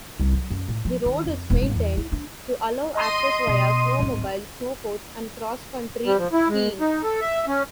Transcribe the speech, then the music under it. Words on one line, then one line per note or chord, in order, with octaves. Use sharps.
The road is maintained to allow access via snowmobile, snow coach, and cross-country skiing.
C2
F#3
F#2
A2
F3
D#3
F2
D#1
G#1
E2
E4
D4
D#5 C6 D#7
B2
D1 G#1
G3
F3
E4
G#3
D#4
A4
E5
C#4